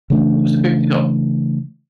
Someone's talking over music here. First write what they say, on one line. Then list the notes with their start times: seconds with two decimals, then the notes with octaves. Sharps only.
It was a big deal.
0.10 C#3 E3 A3 D4